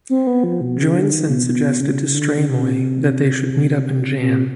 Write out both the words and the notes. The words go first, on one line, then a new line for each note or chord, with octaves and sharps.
Joensen suggested to Streymoy that they should meet up and jam.
C4
B3
F3
B2
C#3
D3
D#3
B2
B2
C#3
D3
C#3
C#3
C3
C3